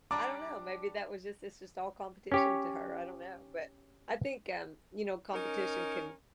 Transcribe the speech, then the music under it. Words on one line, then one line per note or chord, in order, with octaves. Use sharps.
I don't know, maybe that was just it's just all competition to her, I don't know, but, I think, um, you know, competition can
G3 D4 D5 A5 A#5 D6
C#4 G4 C#5
C#4 D#4 A#4